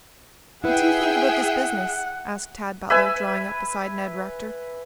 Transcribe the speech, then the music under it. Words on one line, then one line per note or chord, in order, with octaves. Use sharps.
"What do you think about this business?" asked Tad Butler, drawing up beside Ned Rector.
E4 G#4 B4 E5 F#5 G5
B4 E5 G#5